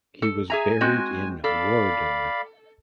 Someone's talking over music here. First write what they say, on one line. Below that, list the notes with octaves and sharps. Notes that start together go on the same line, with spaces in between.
He was buried in Woerden.
A4
G#4 E5 G#5 A#5
G#3 C4 F#4
A4 D5 F5 B5